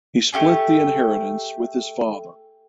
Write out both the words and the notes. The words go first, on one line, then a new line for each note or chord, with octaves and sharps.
He split the inheritance with his father.
A3 E4 G4 G#4